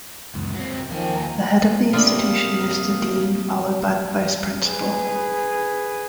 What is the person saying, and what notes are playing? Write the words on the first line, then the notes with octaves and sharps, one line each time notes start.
The head of the institution is the dean followed by the vice-principal.
C#2 F#2
F#3 C4
D#2 D#3 F3 G#5
A#5
C3 F#3 A#3 D4 F4 F5 B5 D#6
G#4 B4